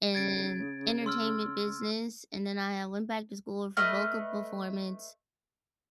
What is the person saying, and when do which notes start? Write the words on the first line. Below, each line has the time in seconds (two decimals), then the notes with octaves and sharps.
and entertainment business, and then I, uh, went back to school for vocal performance.
0.15 C#3 G#6 A6 D7
1.06 C6 E6 F6
3.77 A3 B4 D#5 F6